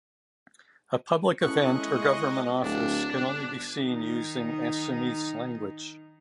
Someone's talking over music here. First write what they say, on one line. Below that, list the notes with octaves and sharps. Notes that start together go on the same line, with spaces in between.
A public event or government office can only be seen using Assamese language.
G#3 B3 C#4 E4 A4 D#5 C#6 F#6
D1 D4
G1
D#3 D#4